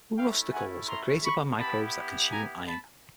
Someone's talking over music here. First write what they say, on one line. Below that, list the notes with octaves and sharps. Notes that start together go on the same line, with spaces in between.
Rusticles are created by microbes that consume iron.
A3 C#4 E4 F5 G5
F#5 G#5
A#5 C6
B5 C#6
B3 E4 G4 A5 B5
G#5 A#5
A5 B5